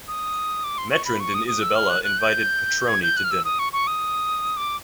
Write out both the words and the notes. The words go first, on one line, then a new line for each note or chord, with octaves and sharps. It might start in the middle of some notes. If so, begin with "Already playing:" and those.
Metrand and Isabelle invite Patroni to dinner.
D#6
D6
C6
C#6
B5
C#6
D#6
D#6
E6
F6
F#6
F#6
G6
G#6
G6
F#6
F6
E6
D#6
C#6
C#6
D#6
D6